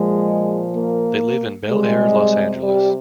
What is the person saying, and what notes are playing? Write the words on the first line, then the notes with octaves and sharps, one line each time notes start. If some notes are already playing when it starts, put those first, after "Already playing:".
They live in Bel Air, Los Angeles.
Already playing: A#2 F3 G#3
A#3
C3 G3 G#3
G3